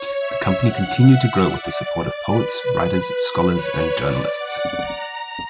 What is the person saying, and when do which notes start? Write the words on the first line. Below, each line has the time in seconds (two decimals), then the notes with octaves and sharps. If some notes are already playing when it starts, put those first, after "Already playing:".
The company continued to grow with the support of poets, writers, scholars and journalists.
Already playing: C#5
0.20 E5
0.62 F#5
1.04 E5
1.45 D5
2.29 B4
2.72 B4
3.54 C#5
3.97 D5
4.39 F#5
4.80 A#5